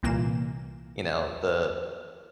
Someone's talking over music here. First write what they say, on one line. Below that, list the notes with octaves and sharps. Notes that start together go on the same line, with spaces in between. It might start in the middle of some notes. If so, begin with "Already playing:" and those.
you know, "The
C2 A#2 E3 A#3 E7